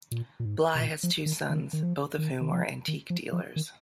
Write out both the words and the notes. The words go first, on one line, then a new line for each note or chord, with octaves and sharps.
Bly has two sons, both of whom are antique dealers.
A#2
A#2
G#2
C3
A#2
F3
D#3
D#3
D#3
F3
D#3
D#3
F3
D#3
F3
F3
D#3